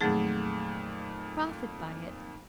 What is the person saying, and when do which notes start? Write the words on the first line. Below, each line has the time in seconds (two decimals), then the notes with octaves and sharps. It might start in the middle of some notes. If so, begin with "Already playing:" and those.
Profit by it.
0.01 F2 A#2 D#3 F#3 A3 G#4